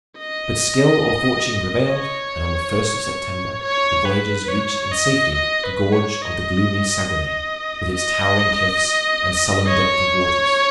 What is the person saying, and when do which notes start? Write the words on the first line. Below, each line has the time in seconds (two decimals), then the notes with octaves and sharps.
But skill or fortune prevailed; and, on the first of September, the voyagers reached in safety the gorge of the gloomy Saguenay, with its towering cliffs and sullen depth of waters.
0.18 D#5
1.90 C#5
3.63 C#5
4.05 B4
4.49 C#5
4.92 D#5
5.35 D#5
5.64 B4
5.93 C#5
6.21 D#5
7.94 D#5
9.67 C#5